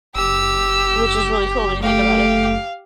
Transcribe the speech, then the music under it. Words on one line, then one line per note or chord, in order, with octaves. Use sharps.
Which is really cool when you think about it.
F#1 G4 E6
A3 G4 F5